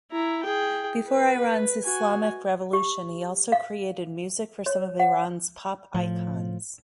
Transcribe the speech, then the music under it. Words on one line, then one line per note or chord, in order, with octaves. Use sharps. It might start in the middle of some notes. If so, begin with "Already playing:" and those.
Before Iran's Islamic Revolution, he also created music for some of Iran's pop icons.
E4 A#5
G#4 G5
B4
F#4 G#5
G4
F5
C#5
F#5
A2 F3